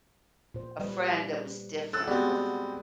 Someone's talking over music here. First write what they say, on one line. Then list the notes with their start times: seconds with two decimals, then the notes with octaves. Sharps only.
a friend that was different or f
0.54 A#2 C5
0.80 G3 B4
1.93 A4 E6 F#6 A6
2.08 G#3 B3 C4 F#4 G4 D5